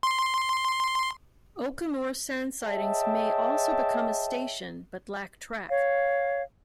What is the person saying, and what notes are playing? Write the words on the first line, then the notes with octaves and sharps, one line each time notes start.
Oakamoor sand sidings may also become a station, but lack track.
C6
G#4 C#5 D#5 E5 G5 A5
C#5 F5